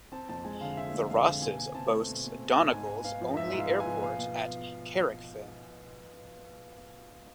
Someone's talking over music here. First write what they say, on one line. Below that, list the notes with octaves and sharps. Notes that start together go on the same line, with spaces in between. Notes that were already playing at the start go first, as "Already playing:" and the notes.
The Rosses boasts Donegal's only airport at Carrickfinn.
C4 A5
F2 A5
G#3 G#5
D3 F5
C4 E5
F2
G#3 F5
D3
B2 G#5
B2
C4 A5
A3
B2
B2
C4
A3
G#2 G#5
G#2
B3 F5
F3
G#2 E5
G#2
F5
B3
G#5
F3
B2 F5
B2